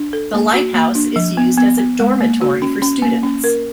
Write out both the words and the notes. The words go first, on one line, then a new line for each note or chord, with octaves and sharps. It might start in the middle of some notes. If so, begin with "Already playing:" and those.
The lighthouse is used as a dormitory for students.
Already playing: D4
A4
A#3
F#4
A#3
D4
F3
B3
B3
B3
G#3
A#3
F#4
C#4
C#4
A#3
C#4
A#4